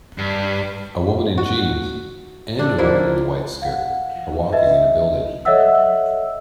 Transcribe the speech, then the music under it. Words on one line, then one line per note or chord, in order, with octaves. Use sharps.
A woman in jeans and a woman in a white skirt are walking in a building.
G2
F#4
D4 A4
F3 A#3 D4 E4
F5 F#5
B4 D#5 E5
A4 C#5 D#5 E5 F#5 E6